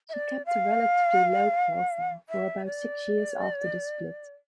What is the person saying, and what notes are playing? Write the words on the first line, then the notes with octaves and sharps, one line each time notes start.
She kept a relatively low profile for about six years after the split.
E5
D5
F5
E5
D5